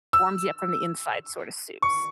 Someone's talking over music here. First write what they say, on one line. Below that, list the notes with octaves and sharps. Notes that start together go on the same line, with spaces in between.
warms you up from the inside sort of soups.
E6
C#6